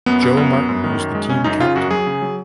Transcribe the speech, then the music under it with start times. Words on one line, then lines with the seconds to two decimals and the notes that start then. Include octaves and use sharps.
Joe Martin was the team captain.
0.06 F#2 B3
0.22 F#2
0.37 F#2
0.53 F#2
0.69 F#2
0.84 D#3
0.99 F#2
1.15 G#3
1.29 C#3 C#4
1.44 F#2 D#4
1.60 C#3 F4
1.76 F#2 F#4
1.91 F#3 G#4
2.07 C#3
2.22 F#3